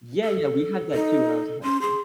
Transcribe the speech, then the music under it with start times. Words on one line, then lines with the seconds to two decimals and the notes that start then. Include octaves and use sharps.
Yeah, yeah, we had that too when I was in high school.
0.24 A4
0.94 D#4
1.63 C#4 C6
1.81 G#4 C6